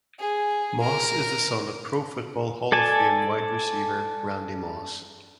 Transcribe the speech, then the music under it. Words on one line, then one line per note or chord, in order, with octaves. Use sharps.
Moss is the son of Pro Football Hall of Fame wide receiver Randy Moss.
G#4
A#4
A4 D5 G#5 A5